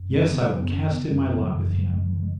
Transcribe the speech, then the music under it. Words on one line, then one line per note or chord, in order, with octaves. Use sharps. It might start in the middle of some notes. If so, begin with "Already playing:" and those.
Yes, I will cast in my lot with him.
Already playing: F#2
C#3 G#3
C#3 B3
G#3
F#2 F#3
B3
C#3 C#4
C#3 B3
F#2 G#3
C#4
C#3 B3
F#3
F#2 E3
C#3 F#3
F#2 G#3
F#3
C#3 E3
G#3